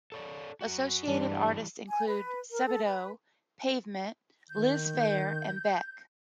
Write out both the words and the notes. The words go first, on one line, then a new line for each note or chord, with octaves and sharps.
Associated artists include Sebadoh, Pavement, Liz Phair, and Beck.
A4 C#5 D5
F#2 F#4
G2 E3 G3 D4
G#5
B4
A#4
A4
B4
D#3 G6